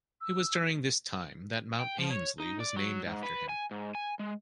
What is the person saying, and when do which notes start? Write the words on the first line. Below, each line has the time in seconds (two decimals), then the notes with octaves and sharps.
It was during this time that Mount Ainslie was named after him.
0.21 E6
1.80 G5
1.98 F3
2.10 C#5
2.40 D#4
2.60 D5
2.77 F#3
3.06 G#2
3.23 B4
3.49 G#5
3.71 G#2
3.95 G#5
4.19 G#3